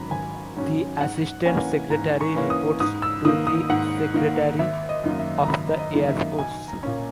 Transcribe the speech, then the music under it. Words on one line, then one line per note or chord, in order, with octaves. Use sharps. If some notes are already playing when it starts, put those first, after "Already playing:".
The assistant secretary reports to the secretary of the Air Force.
Already playing: G#1 G#2 F#3 C#4 A#5 B5
G#1 G#5
G#2 F#3 C#4
G#2 F#5
E3 A#3 C#4 G#5
G#2 A#5
C#6
E3 A#3 C#4
D#6
G#2 D#6
E6
D#3 A#3 D#6
D#6
G#2 F#5
D#3 A#3
G#1 E5
D#5
F#2 D#3 A#3
E5
A#5
G#1 B5
D#5
F#2 D#3 A#3
E5
B1 G#5
A#5
A#2 A#3 C#4